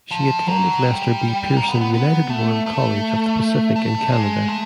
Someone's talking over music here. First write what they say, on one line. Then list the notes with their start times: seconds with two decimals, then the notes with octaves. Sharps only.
She attended Lester B. Pearson United World College of the Pacific in Canada.
0.11 F3
0.47 F#3
0.83 G3
1.57 A#3
1.68 B3
1.81 B3
1.94 B3
2.30 A3
2.66 A3
3.76 A3
4.12 G#3
4.48 A3